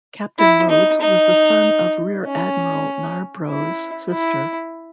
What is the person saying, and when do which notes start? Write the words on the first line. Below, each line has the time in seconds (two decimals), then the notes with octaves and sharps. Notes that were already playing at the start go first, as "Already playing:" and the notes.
Captain Loades was the son of Rear Admiral Narbrough's sister.
0.38 E4
0.69 D#4
1.01 D#4
2.25 C#4
3.48 E4
4.11 E4